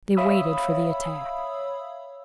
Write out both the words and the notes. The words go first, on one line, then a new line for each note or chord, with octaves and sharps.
They waited for the attack.
C#5 E5 F5 B5 D#6 E6